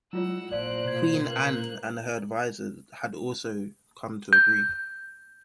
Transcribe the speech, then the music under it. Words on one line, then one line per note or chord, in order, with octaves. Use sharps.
Queen Anne and her advisors had also come to agree.
F#3 G#3 E4 F4 C#5 F#5 E6
A1 A#2 C5 D5 F5 A5 F#6 D7
B2 G#6
A#3 C#4 B4 F#6
G6